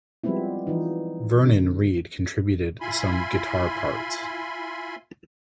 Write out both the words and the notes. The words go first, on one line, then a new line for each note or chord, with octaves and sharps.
Vernon Reid contributed some guitar parts.
F3 G3 G#3 B3 C4 E4
E3 F3 D#4
B2 D3
E4 F4 G#5 B5 C6